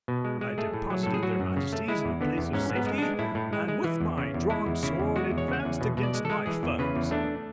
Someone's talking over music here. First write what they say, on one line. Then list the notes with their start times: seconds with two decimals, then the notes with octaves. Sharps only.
I deposited their Majesties in a place of safety, and with my drawn sword advanced against my foes.
0.08 B2
0.25 G#3
0.41 G#3
0.58 A3 G#4
0.74 A2
0.90 F#3
1.03 A2 A4
1.14 G#4
1.23 F#3 F#4
1.40 F#2
1.56 C#3
1.73 A3
1.88 G#3 E4
2.05 E2
2.21 D3 B3
2.38 E2
2.53 G#2 C#4
2.70 G#2
2.76 B3
2.87 G#3
2.98 G#3 D4
3.19 A2 E4
3.35 A2
3.53 G#3
3.68 G#3
3.84 E3
4.01 E2
4.18 C#3
4.34 E2
4.50 G#3 E4
4.66 E2
4.83 C#3 E4
5.00 E2
5.16 G#3 F#4
5.31 E2
5.38 C#5
5.48 C#3 F#5
5.60 G#5
5.65 E2
5.81 B2
5.97 B2
6.03 D5
6.14 G#3
6.25 G#3 A4
6.46 E3 G#4
6.63 E2
6.79 C#3 B4
6.96 E2
7.11 A3 D4